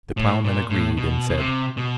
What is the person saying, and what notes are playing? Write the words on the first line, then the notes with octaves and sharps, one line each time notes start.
The ploughman agreed and said.
A2
A#2
A2
B2
B2
C3
B2